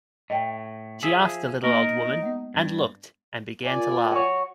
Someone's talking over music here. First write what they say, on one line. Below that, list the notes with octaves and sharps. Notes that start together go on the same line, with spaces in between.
She asked the little old woman; and looked, and began to laugh.
A2 D#5 G5 A5
F3 G#4 E5
A#3 D#4 A#4
G#3 B3
G2
A#2 D5 G#5
F#4 C#5